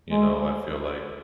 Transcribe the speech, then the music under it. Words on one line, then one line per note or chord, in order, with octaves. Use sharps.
you know, I feel like,
G#3